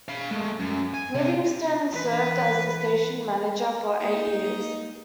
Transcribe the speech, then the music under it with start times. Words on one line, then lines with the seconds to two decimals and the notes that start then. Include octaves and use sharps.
Livingston served as the station manager for eight years.
0.08 F5 B5
0.31 G#3 A3
0.59 F#2
0.94 G#5
1.15 C3
1.91 E3 B4
4.01 G#3 A#3 D#4